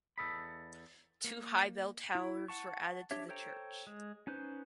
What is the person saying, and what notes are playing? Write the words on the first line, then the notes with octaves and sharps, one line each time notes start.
Two high bell towers were added to the church.
E2 D#3 A4 D#5 B5
A#3
E4
F#5 A5 C#6
D4 G4 C#5 E5
A4 C5 C#5 G5 A#5
G#3
C#4 D#4 B4 C5